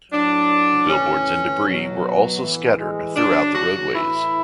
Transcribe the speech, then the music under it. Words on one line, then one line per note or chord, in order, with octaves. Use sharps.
Billboards and debris were also scattered throughout the roadways.
A2 F#3 D4
A2 E3 C#4
B2 F#3
B3
A2 E3
G#3
C#3 F#3 D4
F#4
A2 E3 E4